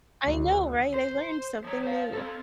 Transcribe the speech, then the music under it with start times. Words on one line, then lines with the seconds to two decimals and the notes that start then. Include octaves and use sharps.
I know, right? I learned something new.
0.24 D2
0.94 C5
1.65 F3 C#5
1.84 C5 F5
2.14 C4 A4